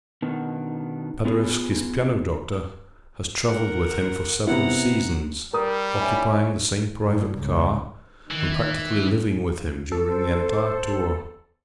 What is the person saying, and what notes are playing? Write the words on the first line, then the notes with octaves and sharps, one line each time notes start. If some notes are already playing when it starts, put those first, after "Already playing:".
Paderewski's "piano doctor" has traveled with him for several seasons, occupying the same private car and practically living with him during the entire tour.
B2 D3 D#3 B3
B3 F4 G#4
A#4 F#5
C3 B3 E4 F#5 A#5
G3 A#4 D#6
C#4 E4
G2
C#2
D#3 E3
A4
C5